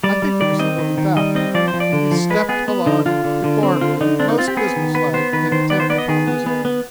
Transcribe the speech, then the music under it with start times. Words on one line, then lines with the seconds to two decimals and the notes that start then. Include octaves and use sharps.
I think he was a little deaf, and he stepped along before me most businesslike and intent upon his errand.
0.04 G3 D5
0.22 G3
0.41 D#3 D5
0.59 C4 D#5
0.78 D#3
0.98 D#3
1.17 G3 D#5
1.35 C4 D#5
1.54 F3 D5
1.68 C5
1.74 F3
1.80 D5
1.93 D3
2.11 F3
2.30 G#3 B4
2.49 B3 G#4
2.68 B3
2.86 D3 D#4
3.06 D3 F4
3.24 D3
3.44 D3
3.63 C4
3.81 D3 F4
4.01 D3 D#4
4.19 C4 D4
4.29 D#4
4.38 C4 F4
4.48 G4
4.57 B3 G#4
4.76 D#3
4.95 B3 B4
5.14 B3 C5
5.33 D#3 B4
5.52 D#3 C5
5.70 B3 D5
5.80 C5
5.90 B3 D5
5.98 D#5
6.08 D#3 G#4
6.27 B3
6.46 B3
6.65 B3